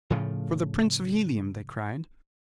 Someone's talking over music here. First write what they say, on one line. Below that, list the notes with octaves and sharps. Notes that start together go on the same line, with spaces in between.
"For the Prince of Helium!" they cried.
A2 C#3 F3 A3